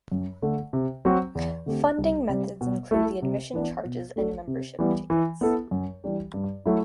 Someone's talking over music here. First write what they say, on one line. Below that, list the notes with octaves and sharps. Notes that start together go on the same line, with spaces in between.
Funding methods include the admission charges and membership tickets.
F#2
D3 A3
C3
F#3 C4 F#4
E2
D3 A3 C4 G4
C2
C3 G3
B2
A3 E4 A4
C3
E3 B3 D4
B2
A3 D4 F#4 A4
C3
E3 G3 B3
E3
B3 E4 A4
F#2
E3 G3 D4 G4
G2
F#3 A3 E4